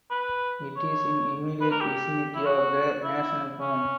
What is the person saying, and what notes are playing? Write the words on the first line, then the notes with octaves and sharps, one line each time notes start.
It is in immediate vicinity of the National Home.
B4
C#5
B4
A#4
G4
E4
F#4
E4
C#4